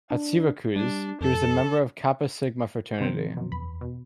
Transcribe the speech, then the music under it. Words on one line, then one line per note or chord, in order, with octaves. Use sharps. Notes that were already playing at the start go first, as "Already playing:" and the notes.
At Syracuse, he was a member of Kappa Sigma Fraternity.
D4
G3 D4
F2 A4
C3 D#3 F3 B3 C4
F#2 B2
E2 B5
B2